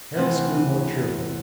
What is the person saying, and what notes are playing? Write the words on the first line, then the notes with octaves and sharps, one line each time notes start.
Harris grew more cheerful.
D2 C3 E3 C4